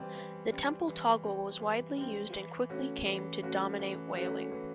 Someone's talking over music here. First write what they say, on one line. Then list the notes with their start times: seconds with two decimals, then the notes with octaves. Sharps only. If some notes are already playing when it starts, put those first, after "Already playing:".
The Temple toggle was widely used, and quickly came to dominate whaling.
Already playing: E3 G3 C4
0.15 E3
0.51 G3 C4
0.88 E3
1.23 G3 C4
1.60 E3
1.96 G3 C4
2.33 E3
2.69 A3 C#4 F#4
3.06 E3
3.42 A3 C#4 F#4
3.79 E3
4.15 A3 C#4 F#4
4.51 E3